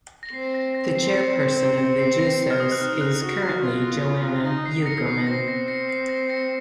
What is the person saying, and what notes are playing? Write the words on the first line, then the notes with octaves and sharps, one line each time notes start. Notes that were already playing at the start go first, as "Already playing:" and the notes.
The chairperson of the Jusos is currently Johanna Uekermann.
A#6
C4 C7
A#6
A#6
C7
A#6 C#7
C#7
C7
A#6
F6
D#6
F#6
D#4 F6
F#6
F#4
A#6
F4
D#4 A#6
C7
D#4 A#6 C#7
C7
C4 A#6
A#6
A#6 C#7
C7
A#6
A#6 C#7